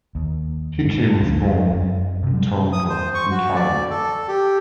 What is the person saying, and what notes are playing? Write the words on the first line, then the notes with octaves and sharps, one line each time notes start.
Hickey was born in Toronto, Ontario.
D#2
G#2
D2
F2
F#2
C3
G3
D#6
C5
C#6
F#4
D5
A4
G4